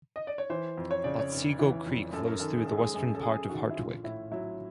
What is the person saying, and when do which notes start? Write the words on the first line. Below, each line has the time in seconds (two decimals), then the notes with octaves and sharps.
Otsego Creek flows through the western part of Hartwick.
0.16 D#5
0.27 D5
0.38 C#5
0.50 E3 C5
0.77 F2
0.91 C#5
1.04 C#3 D5
1.19 C#5
1.32 F1
1.59 E3
1.86 F2
2.13 F#2 A4
2.26 A#4
2.40 D#3 A4
2.54 G#4
2.66 G#3 A4
2.78 G#4
2.95 F#2 G#4
3.15 A4
3.22 F#2 G#4
3.50 D#3 F#4
3.70 E4
3.77 A#1 F4
4.04 A2 E4
4.31 F#3 E4